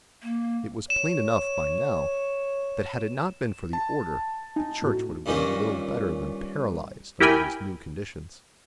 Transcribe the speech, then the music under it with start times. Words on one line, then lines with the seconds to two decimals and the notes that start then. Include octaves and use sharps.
It was plain enough by now that had it not been for the Order, the Church would have been little better than paralysed under these new conditions.
0.23 A#3
0.90 C#5 E7
3.73 A5
4.56 D#4 G#5
4.82 A2 F#4
5.26 G2 A#2 D#3 C#4 D#5
7.20 E4 G4 A#4 G5 G#5 B5